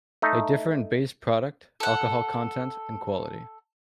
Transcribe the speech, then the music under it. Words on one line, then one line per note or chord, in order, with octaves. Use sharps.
They differ in base product, alcoholic content, and quality.
A3 D#4
A4 F#5